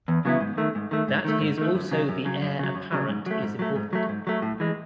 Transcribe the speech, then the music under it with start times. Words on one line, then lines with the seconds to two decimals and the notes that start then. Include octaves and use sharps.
That he is also the heir apparent is important.
0.08 E2
0.25 C#3 F#3 B3 E4
0.40 G#2
0.58 D#3 A3
0.75 G#2
0.91 D#3 A3
1.08 G#2
1.25 D#3 A3
1.41 G#2
1.58 D#3 A3
1.75 F#2
1.91 C#3 F#3
2.09 F#2
2.25 C#3 F#3
2.42 F#2
2.59 C#3 F#3
2.75 F#2
2.92 C#3 F#3
3.08 G#2
3.26 F#3 A3
3.42 G#2
3.59 F#3 A3
3.76 G#2
3.93 F#3 A3
4.09 G#2
4.27 F#3 A3
4.42 A2
4.60 E3 G#3